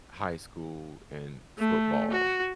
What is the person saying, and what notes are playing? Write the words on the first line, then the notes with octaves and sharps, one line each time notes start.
high school and football,
A3
F#4